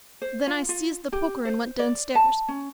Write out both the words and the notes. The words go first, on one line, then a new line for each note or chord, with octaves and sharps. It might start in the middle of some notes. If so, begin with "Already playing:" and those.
Then I seized the poker and went downstairs.
C5
F4
F4
G4
C5
D5
A5
C#4